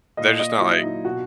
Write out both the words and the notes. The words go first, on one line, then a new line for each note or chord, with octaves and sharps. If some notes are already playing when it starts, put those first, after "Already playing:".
They're just not, like,
A#2 D#5
D#5
F#3 E4
D#4
B2 F#4